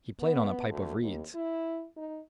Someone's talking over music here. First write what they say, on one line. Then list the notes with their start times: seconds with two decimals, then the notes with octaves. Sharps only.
He played on a pipe of reeds.
0.20 B3
0.69 D2
1.02 D#2
1.35 E4
1.97 D#4